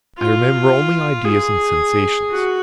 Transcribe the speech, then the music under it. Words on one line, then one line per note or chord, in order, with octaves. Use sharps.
I remember only ideas and sensations.
F4
G#4
F#4